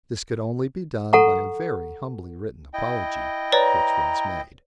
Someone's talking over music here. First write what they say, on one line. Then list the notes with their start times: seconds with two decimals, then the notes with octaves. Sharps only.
This could only be done by a very humbly written apology, which was made.
1.13 A4 F#5 A#5 C#6
2.74 E4 D#5 G5
3.52 B4 C#5 D5 A#5